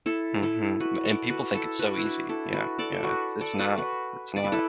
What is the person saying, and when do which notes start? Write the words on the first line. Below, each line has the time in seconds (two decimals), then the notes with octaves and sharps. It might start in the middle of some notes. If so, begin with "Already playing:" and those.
Mhm, and people think it's so easy yeah, yeah, it's it's not, it's not.
0.06 E4 A4
0.43 E4 A4
0.80 F#4 B4
1.05 A4 D5
1.30 F#4 B4
1.54 E4 A4
1.79 F#4 B4
1.98 E4
2.04 D4 F#4
2.29 E4 A4
2.54 F#4 B4
2.78 A4 D5
2.93 A4
3.03 F#4 B4
3.41 A4 D5
3.59 F#4 B4
3.78 F#4 B4
4.36 D5
4.44 B4
4.52 E4 A4